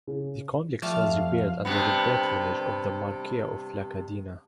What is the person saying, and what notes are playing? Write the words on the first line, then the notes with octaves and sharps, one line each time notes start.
The complex was repaired under the patronage of the Marquis of La Cadena.
C#3
F3 G3 A3 A5 F6
F2 F5
G2 C3 B3